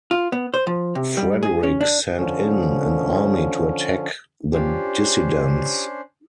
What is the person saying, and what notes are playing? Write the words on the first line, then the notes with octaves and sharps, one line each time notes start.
Frederick sent in an army to attack the dissidents.
F4
B3
C5
F3
C3
G3
G#4
C#4
D4
D3 F3 C#4
C#4 D4 F4 G4 C5